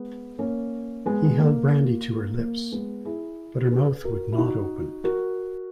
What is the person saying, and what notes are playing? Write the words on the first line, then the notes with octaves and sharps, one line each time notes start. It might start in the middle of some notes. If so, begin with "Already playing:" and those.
He held brandy to her lips, but her mouth would not open.
Already playing: G#3 B3
A#3 C#4
G#3 B3
A#3
A#3
G#3 B3
E4 G#4
G#4 B4
F#4 A#4
E4
D#4 F#4
F#4 A#4